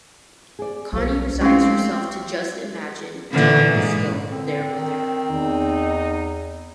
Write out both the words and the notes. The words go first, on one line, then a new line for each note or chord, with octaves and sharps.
Connie resigns herself to "Just Imagine" Tom is still there with her.
G#4 D5
B1 G3 F4 C5
G#3 A3 C4 C#4 D#4 G4 F5
A#2 D3 E3
G#2
D3 C4
D#3
E2 D#4